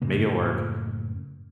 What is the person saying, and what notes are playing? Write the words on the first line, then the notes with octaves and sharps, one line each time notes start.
make it work."
F#2 A2 C#3 A#3